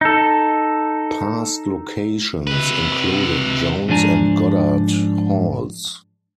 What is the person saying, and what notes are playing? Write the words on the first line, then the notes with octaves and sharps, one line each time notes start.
Past locations included Jones and Goddard Halls.
D#4 A4
C3 B4
G#2 F3 D4 G#5 A#5